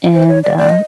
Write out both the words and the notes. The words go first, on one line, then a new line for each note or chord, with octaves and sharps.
And, uh,
C5
C#5
D5
D5
D#5